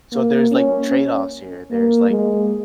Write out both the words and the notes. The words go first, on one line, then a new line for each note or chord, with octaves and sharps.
So, there's, like, trade-offs here. There's, like
A#3
C#4
A#3
G#3